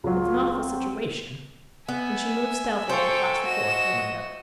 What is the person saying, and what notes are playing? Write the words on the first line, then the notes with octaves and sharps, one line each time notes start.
"It's an awful situation," and she moved stealthily across the floor to the window.
C#2 F#3 F4
C4
B3 E5 G#5
A4 C5 F5 G5 C#6
F#4 D#5 E7